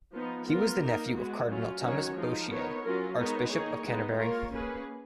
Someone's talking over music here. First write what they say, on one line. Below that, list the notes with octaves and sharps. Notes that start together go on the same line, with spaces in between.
He was the nephew of Cardinal Thomas Bourchier, Archbishop of Canterbury.
F3 B3 D#4
B3 F4 A#4
A#3 D#4 A#4
G#3 B3 F#4
F#3 C#4 F4
D#3 F#3 C#4 F#4 C#5
F3 G#3 D#4
B3 D#4 A#4 C#5
F#3 C#4 F4 A#4
G#3 B3 D#4 A#4 C#5
D#3 A#3 D#4 G#4 C#5
G#3 B3 D#4
A#3 F4 A#4 C#5
A#3 C#4 G#4 B4